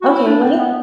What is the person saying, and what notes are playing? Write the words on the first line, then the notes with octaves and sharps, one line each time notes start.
Okay, what is it?
F#4
E4
D4
C4
B3